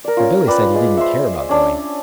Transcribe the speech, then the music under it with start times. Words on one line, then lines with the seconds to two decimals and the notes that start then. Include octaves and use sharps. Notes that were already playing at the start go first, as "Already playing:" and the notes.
But Billy said he didn't care about going.
0.04 A#4 D5
0.17 C#4 F4
0.47 B4 D5 G5
0.75 G#3
0.97 C5 E5
1.49 C#4 D4 D5